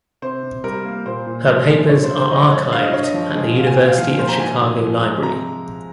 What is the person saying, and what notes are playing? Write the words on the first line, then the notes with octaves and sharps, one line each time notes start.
Her papers are archived at the University of Chicago Library.
C3 C5
C3
G3 A#4
A#3
A#2 C5
A#2
F3
G#3
G2 C#5
C5
G2
C5
F3 D#5
G#3 C#5
G2 F5
D#5
G2 C#5
D#5
F3
G#3
A#2 F5
G#5
A#2 G5
F5
F3 F5
A#3 C5
A#5
G#2 G#5
G#2
F3
G#3
C3 A#5